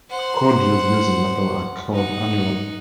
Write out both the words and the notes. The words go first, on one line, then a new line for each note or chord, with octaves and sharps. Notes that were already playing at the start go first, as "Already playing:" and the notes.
Core drills used in metal are called annular cutters.
C5 F#5
D#4 F#5